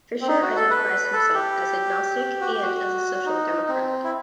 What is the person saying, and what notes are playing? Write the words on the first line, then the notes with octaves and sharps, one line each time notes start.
Fischer identifies himself as agnostic and as a social democrat.
C4
D#4
F#4
A4
B4
A4
G4
F#4
G4
F#4
D#4
C4
E4